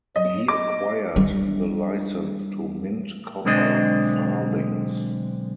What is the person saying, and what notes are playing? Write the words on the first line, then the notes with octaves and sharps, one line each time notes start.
He acquired the licence to mint copper farthings.
F#3 D#5
D#5 D6
G3 D4
B1 D3 G#3 C4 D4 D#5